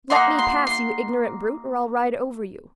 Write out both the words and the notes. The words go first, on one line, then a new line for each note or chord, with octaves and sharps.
"Let me pass, you ignorant brute, or I'll ride over you."
A#3 D#4 F#4 C6
C6
C6